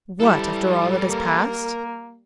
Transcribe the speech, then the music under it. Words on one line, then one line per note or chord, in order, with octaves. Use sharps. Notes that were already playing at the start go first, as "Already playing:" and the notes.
"What, after all that has passed?"
G3 E4 A4 B4
A#3 A#4